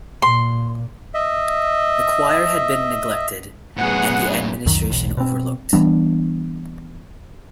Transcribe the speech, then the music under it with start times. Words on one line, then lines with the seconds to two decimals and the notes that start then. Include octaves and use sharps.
The choir had been neglected and the administration overlooked.
0.22 A#2 C6
1.14 D#5 E5
3.77 F#2 A2 B3 G#4 F#5
4.66 C#2 F#2 D#3 F#3
4.90 E1 B1 E2
5.17 B2 C4
5.73 E3 G3 B3 D4